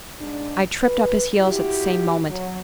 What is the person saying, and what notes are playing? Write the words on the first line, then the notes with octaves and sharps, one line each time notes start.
I tripped up his heels at the same moment.
G#2 D4
B4
E4 F#4 G4
F#3